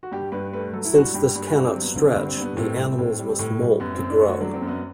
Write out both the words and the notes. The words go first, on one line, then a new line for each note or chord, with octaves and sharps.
Since this cannot stretch, the animals must molt to grow.
F#4
G2 G4
G2 B4
A3 B4
F#3 A4
E4
G2 F#4
G2 G4
G2
G2 F#4
C4
F#3
B3
D3 C4
G2 C4
C4
G2 B3
A2 C4
G3
A2
G3
A2
G3
F#2 B3
C4
F#2
D4
A3 F#4
F#3 D4
C4
F#2
B3